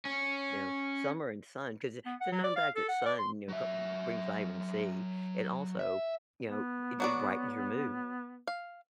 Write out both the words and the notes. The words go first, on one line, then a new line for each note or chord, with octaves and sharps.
You know? Summer and sun, 'cause i it's a known fact that sun, you know, ca brings Vitamin C. And, also, you know, it it brightens your mood.
C#4
B3
F#5
F#3
D5
F5
A4
F#5
D5
C6
F#3 E5
E5
B3
F#3 F#4 D5
F5